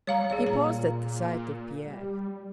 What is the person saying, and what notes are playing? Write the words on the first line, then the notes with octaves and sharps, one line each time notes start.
He paused at the sight of Pierre.
G3 C#5 F5 A#5
B1 G#4 D5 F5
A#2 A#5
G3